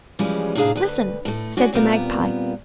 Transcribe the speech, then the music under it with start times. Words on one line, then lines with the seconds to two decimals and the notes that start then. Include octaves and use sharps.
"Listen," said the Magpie.
0.19 C#3 E3 F3 G3 G#3 C#4
0.55 A2 C3 D4 G#4 F5 A#5
0.75 D2 B4
1.25 A2 A3
1.57 C#4 D4 F#4
1.73 A#2 G3 B3 C4 F4 A#4